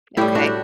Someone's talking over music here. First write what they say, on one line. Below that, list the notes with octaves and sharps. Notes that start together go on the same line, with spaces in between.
Y Okay.
A2 G3 E4 G4
D4 F#4